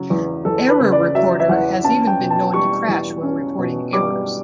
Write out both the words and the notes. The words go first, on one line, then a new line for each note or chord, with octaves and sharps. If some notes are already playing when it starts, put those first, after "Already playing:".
Error Reporter has even been known to crash while reporting errors.
Already playing: C#3 F#3
E2
E2 A4
B4
C#3
D5
F#3 E5
E5
E2 F#5
C#4 A5
G5
B2
A5
G3 C#6
E2
C#4
B2
G3 D6